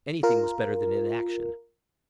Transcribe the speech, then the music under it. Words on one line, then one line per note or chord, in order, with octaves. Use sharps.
Anything was better than inaction.
F4 A#4